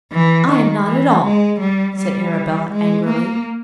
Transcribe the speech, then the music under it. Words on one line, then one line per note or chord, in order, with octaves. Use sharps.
"I am not at all," said Arabella, angrily.
E3
D#3
E3
G#3
G3
G3
G#3
A#3